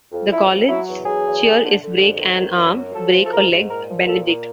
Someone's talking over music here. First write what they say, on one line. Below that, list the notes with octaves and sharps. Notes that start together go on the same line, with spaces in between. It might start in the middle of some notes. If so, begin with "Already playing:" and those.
The college's cheer is Break an arm, break a leg, Benedict!
F2
F2 E4
F2
F#3 E4
E2
F#3 G#4
E2
D3
D3
D3
F2
D#3
F#2
F#2
F#3
F3 A4
F3
A4
G#2 A#4
G#2
A#2 A#4
F3
A#2 A4
A#2